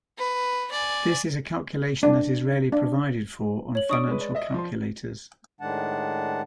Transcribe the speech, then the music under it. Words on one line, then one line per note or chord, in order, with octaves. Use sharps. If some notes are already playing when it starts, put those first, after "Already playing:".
This is a calculation that is rarely provided for on financial calculators.
B4
D5 G#5
D4
D4
C#5 F#7
D4 C#6 D#6 D7
G#3 B4
D5
D#5 E5
F3 C6
A2 D#3 G#3 D4 F#5 A5